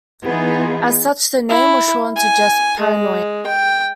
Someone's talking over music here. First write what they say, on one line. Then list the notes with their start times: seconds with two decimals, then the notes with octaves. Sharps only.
As such, the name was shortened to just "Paranoia".
0.25 E3 B3 D#4 F4 G#4
1.49 E4
2.16 G#5
2.80 G#3
3.46 G5